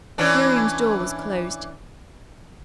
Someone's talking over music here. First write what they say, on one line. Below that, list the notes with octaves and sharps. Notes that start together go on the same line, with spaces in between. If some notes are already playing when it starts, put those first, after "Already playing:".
Miriam's door was closed.
E3 C#4 D4